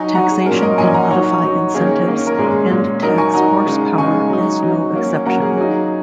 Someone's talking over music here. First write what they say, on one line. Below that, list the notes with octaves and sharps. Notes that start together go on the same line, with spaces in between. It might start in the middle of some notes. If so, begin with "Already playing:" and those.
Taxation can modify incentives and tax horsepower is no exception.
Already playing: F#3 D#4 G#5 C#6
F#3 D#4 F#5 A#5
G#4
A#2 F#3 C#4 A#4
A#4 D#5
A#2 F#3 C#4 D#5 G#5
F#5 A#5
F#3 D#4 C#5 F#5
F#3 D#4
D#3 A#3 C#4 G#4 C#5
D#3 A#3 C#4
A#4
A#2 G#3 C#4 G#4
A#2 G#3 C#4
F#3 D#4 A#4 D#5
G#5 C#6
F#3 D#4 F#5 A#5
C#3 G#3 D#4
C#3 G#3 D#4 G#5 C#6
F#3 D#4
F#3 D#4
F#3 A#3 C#4
F#3 A#3 C#4 F#5 A#5
G#4
F#3 D#4